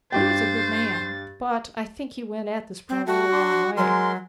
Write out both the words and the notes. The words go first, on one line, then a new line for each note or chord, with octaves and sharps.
He was a good man, but I think he went at this problem the wrong way.
G2 G4 C5 G5 A6
C4
G3 A3 F#4
D4 C6
F#3 G#3 A#4 C6